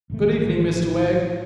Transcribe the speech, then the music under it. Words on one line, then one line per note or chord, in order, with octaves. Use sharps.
'Good evening, Mr Wegg.
A1 A2 D#3 A3